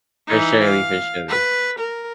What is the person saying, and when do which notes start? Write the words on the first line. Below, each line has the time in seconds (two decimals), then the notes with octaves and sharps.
for surely, for surely.
0.28 E3 D#4
0.64 F5
1.29 B4
1.79 A#4